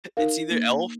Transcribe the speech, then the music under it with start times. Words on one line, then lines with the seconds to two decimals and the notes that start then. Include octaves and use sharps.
It's either Elf
0.17 D#4 A#4 F5
0.51 A#3